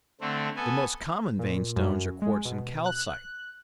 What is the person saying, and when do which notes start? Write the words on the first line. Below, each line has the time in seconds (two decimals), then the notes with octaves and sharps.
The most common vein stones are QUARTZ and CALCITE.
0.21 D3 A3 C4
0.56 B3 A4 G#5
1.39 A#2
1.76 F#2
2.22 G#3
2.45 B2
2.86 F#6